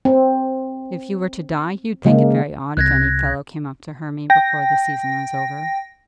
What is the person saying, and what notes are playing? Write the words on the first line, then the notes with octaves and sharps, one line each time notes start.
If you were to die, you'd think it very odd if any fellow came up to Hermy before the season was over.
C4
C#3 G#3 A#3
C2 F#6 G#6 A#6
G5 A#6